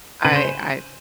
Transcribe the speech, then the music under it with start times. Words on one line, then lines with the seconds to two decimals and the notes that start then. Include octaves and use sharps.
I I
0.25 C#3 B4
0.36 C5